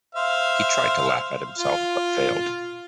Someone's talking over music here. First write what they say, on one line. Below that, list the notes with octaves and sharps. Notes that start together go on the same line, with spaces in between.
He tried to laugh at himself but failed.
C5 E5 F5
F4